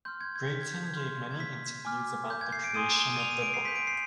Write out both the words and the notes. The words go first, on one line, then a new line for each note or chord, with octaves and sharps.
Breton gave many interviews about the creation of the book.
C6 F6 G6
G#6
G#6
B6
G#6
G6
G#6
C6 F6
G#6
B6
G#5 D6 F6
G6
G#6
C7
D7
G#5 C6 D#6 D#7
D#7
F7
D#7
D7
C7
C6 G6 B6
D7
C7